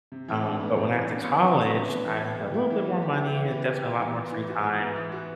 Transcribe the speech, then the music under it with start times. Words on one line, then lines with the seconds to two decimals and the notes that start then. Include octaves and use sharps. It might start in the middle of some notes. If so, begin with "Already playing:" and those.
Um, but when I got to college, I had a little bit more money, definitely a lot more free time,
0.12 C3
0.28 E3
0.44 D4
0.60 B3
0.76 C3
0.92 E3
1.08 D4
1.24 B3
1.41 C3
1.57 E3
1.74 D4
1.90 B3
2.05 E3
2.22 B3
2.37 G4
2.54 E4
2.70 E3
2.87 B3
3.02 G4
3.18 E4
3.34 E3
3.50 B3
3.67 G4
3.83 E4
3.99 E3
4.16 B3
4.32 E3
4.48 F#4
4.63 E3
4.80 B3
4.96 E3
5.12 F#4